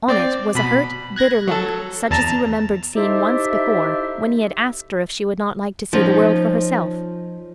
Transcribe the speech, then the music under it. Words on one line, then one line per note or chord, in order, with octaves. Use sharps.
On it was a hurt, bitter look, such as he remembered seeing once before, when he had asked her if she would not like to see the world for herself.
C4 D5
B2 B5
F#6 G#6 A#6
F#3 A4
E2 A5 A#5
D#4 E4 G4 A4 C5 E5
F3 C#4 D#4